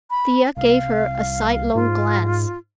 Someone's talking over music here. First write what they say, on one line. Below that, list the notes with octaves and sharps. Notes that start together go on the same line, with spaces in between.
Thea gave her a sidelong glance.
B5
C2 F5
G#2 F4